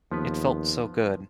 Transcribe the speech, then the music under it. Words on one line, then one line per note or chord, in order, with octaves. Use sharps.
It felt so good.
D#2 F3 B3 B4